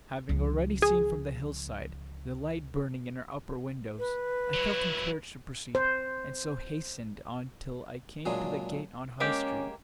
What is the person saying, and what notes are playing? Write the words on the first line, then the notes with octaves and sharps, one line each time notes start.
Having already seen from the hillside the light burning in her upper windows, I felt encouraged to proceed, and so hastened on till I came to the gate on High Street.
C#2 F3
G#4
B4
F#3 E4
C5
A#2 F#3 G#3 D4 G#4
G#3 A#3 C#4 G4